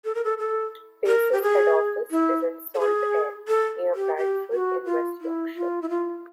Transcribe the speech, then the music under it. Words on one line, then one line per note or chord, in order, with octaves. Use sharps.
Pace's head office is in Saltaire, near Bradford in West Yorkshire.
A4
A#4
A4
A4
A#4
G4
G#4
E4
A4
G#4
A4
G4
G4
F#4
F4
E4
F4
E4
F4